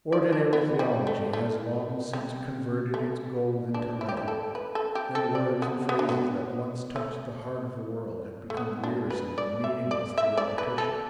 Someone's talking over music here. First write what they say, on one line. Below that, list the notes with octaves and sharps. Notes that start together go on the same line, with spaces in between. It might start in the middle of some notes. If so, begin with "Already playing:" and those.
Ordinary theology has long since converted its gold into lead, and words and phrases that once touched the heart of the world have become wearisome and meaningless through repetition.
D5
D4
B3
G3
A3
A3
G3
A3
D4
E4
G4
E4
A4
B4
A4
G4
A4
D5
B3
B3
D4
B3
A3
A3
B3
D4
B4
D5
E5
D5
E5
D5
B4
A4